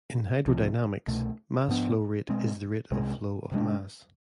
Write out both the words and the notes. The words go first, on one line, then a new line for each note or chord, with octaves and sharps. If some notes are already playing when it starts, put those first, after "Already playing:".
In hydrodynamics, mass flow rate is the rate of flow of mass.
C2 C3 F3
C2 B2 A3
G#2 F3 B3 D4
B2 G#3 C4
C2 C3 G#3
C3 E3 G#3 D4